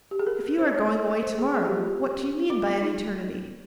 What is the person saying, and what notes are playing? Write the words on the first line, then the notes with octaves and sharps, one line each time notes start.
"If you are going away to-morrow, what do you mean by an eternity?"
G4
G#4
A#4
C5
C#5
C5
G#4
G#4
G4
F4
G4
F4
F4
D#4